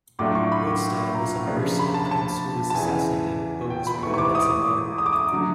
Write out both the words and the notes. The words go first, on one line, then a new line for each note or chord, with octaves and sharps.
Wigstan was a Mercian prince who was assassinated, but was regarded as a Martyr.
A2 F#3 A3 D4 F4 D6
C#6
B5
A#5
C#3 F3 A#3 D4
B5
A5
A5
A5
E2 C#3 E3 G#5
G5
B5
G#2 E3 A3 C#6
C#6
D6
D#6
D#6
D6
D#6
D3 F#3 A3